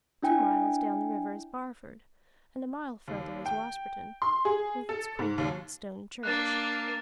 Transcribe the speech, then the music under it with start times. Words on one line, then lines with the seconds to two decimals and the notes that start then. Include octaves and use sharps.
Two miles down the river is Barford, and a mile farther is Wasperton, with its quaint old stone church.
0.23 D4 E4 G5 G#5
3.08 D#2
3.46 G5
4.22 C6
4.45 G#4
4.89 A4
5.19 G#2
5.38 D#2
6.23 A#3 D4 F#6 A6